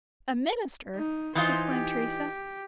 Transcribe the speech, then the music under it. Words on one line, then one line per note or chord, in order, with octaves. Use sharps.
"A minister!" exclaimed Teresa.
D#4
E3 D#4 F4 C5
G4